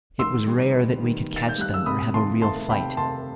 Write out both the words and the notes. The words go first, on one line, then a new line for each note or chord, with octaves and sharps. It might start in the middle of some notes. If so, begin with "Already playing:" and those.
It was rare that we could catch them or have a real fight.
D#3 C6 E6
G3
B3
D#3
D#3
A6
G6
G3 F#6
E6
C3 B5 D#6
D#3 A5 C6
A3 A5 C6
C3 G5 B5
C3 A5 C6